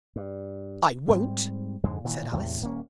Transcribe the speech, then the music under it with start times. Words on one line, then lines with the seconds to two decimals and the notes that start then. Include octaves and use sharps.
'I won't!' said Alice.
0.16 G2
1.08 G#2 G3 C4
1.83 F2 G#2 D3 G#3
2.05 A#2 D#3 E3
2.32 E2 A2 C3
2.61 D#1 A#3 C#4